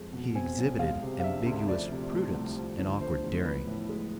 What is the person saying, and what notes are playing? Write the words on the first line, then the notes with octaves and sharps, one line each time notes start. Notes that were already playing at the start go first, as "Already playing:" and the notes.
He exhibited ambiguous prudence and awkward daring.
Already playing: F2 G#3
B2
C4 G#5
B1
G#3 F5
C3
F5
D4 E5
D2
F3 D5
C3
A3
C2
F3
D3
A3 C5
E2
F3 B4
A2
G#3